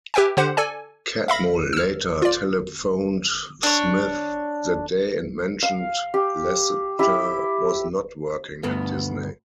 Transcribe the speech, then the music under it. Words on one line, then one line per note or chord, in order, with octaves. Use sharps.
Catmull later telephoned Smith that day and mentioned Lasseter was not working at Disney.
G4 B4 E5 G5 G#5
D3 G4 C5 F#5
A4 D5 G#5
E5 F5 B5 A#6
E6 F6
F4 D5
D4 C#5
F5
G4
E4 G4
D2 G2 B3